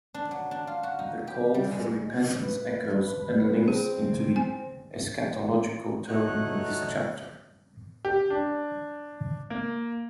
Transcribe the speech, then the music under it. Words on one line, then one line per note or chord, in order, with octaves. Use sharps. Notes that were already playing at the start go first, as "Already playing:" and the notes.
The call for repentance echoes and links into the eschatological tone of this chapter.
D4
F#3
D4
F4
F#4
D#4
G4
G3
G#3
B4
C4 G#4
G#5
A3 D#4 F#4 C#5 F#6
G4
D4
A#3